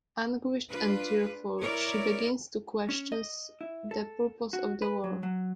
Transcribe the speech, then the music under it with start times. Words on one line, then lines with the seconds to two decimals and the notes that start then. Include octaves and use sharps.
Anguished and tearful, she begins to question the purpose of the war.
0.70 D4 F4 B4
1.62 E4 A#4 C#5 D5
2.89 C#4
3.12 D#5
3.61 E4
3.91 A4
4.53 F#4
4.82 B4
5.04 F#3
5.23 F#3